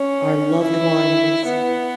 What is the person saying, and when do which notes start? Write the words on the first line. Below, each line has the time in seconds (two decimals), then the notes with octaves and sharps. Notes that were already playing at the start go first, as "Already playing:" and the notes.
our loved ones
Already playing: C#4
0.62 E4
1.45 B3